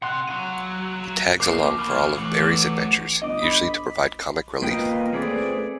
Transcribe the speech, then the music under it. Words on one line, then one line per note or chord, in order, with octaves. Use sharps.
He tags along for all of Barry's adventures, usually to provide comic relief.
C3 F#5 C6 F#6
C#2 F#3 D#7
B2 F3 A#3 A#4 D6 C7
C#3 E3 F6
E3 A3 C#4 F#4
G1 D#5 D6 D#6
B5
A#3 F4 B4 D#5 G5
A3 C4 G#4 B4 D5